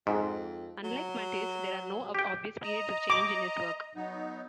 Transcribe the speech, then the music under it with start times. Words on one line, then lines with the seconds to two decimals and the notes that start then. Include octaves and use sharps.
Unlike Matisse, there are no obvious periods of change in his work.
0.07 F2 G#2
0.84 F#3
2.14 G4 G5
2.63 D#5 A#5
3.10 D6
3.96 F#3 B3 D#4